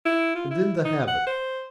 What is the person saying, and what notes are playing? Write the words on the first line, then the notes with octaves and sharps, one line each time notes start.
And then the habit!
E4
F4
E4
D#4
F#5
C5